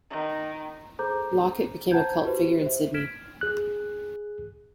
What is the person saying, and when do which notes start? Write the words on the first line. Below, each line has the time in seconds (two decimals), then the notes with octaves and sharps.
Lockett became a cult figure in Sydney.
0.11 D#3
0.99 G#4 A4 C5 A#5 D6 G6
1.91 C5 F#5 A5 A#5 G6 G#6
2.23 E4 F#4 G4 B4 C5
2.62 C5 E5
2.94 F6 G#6 B6 D7 E7
3.41 G#4 F#6